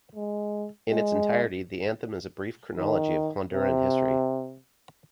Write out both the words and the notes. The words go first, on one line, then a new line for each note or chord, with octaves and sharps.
In its entirety, the anthem is a brief chronology of Honduran history.
G#3
G#3
D#3
C3